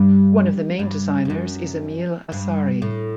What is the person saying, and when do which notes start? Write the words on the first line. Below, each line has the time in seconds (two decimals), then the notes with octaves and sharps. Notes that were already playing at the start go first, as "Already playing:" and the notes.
One of the main designers is Emile Asari.
Already playing: G2
0.79 G2
1.25 G2
1.30 F#2
2.32 G2
2.82 A2